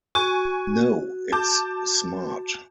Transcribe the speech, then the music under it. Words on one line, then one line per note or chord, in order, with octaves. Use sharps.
No, it's smart.
F#4 G#5 C#6
A5 D6 G6